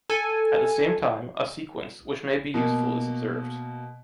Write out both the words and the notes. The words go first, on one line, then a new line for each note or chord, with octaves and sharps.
At the same time, a sequence, which may be useful is observed.
A4 G#5
B2 A#3